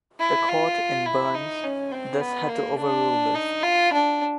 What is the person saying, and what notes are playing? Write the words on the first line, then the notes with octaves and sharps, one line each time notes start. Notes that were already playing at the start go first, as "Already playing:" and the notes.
The Court in "Burns" thus had to overrule this.
E4
F4
E4
D#4
C#4
C4
B3
A#3
D4
D#4
F4
D4